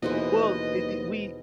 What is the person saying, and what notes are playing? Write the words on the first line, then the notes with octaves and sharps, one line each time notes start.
Well, d d we
D#2 B2 E3 G#3 A4 B4 C5 D#5